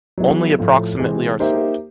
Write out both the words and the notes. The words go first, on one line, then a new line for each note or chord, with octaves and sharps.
Only approximately are sold.
F#3 B3 E4 G#4
A2 F3 A3
C3 E3 G#3 C4
A#3 D#4 G4 C5 E5